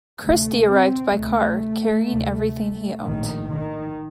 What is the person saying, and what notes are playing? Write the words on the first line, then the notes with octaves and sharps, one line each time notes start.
Christy arrived by car, carrying everything he owned.
D2 C3 A3
C4
D2 C3 A3
D2 C3
A#1 A2 D#3
D#3